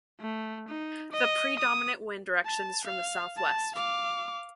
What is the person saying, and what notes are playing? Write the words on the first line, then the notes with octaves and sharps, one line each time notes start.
The predominant wind direction is from the south-west.
A3
D#4
D#5
D#6
A5
F5
A5
F5 D6